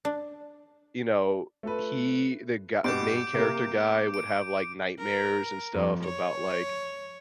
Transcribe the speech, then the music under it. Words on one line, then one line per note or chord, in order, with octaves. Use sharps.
you know, he the gu main character guy would have, like, nightmares and stuff about, like,
D4
A3 F4 A4 B4
G2 B2 D6 G6 D7
C3 A#3
D7
A#4
F2
C#5